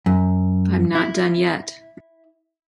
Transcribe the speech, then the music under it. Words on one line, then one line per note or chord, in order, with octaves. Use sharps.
I'm not done yet.
F#2
E4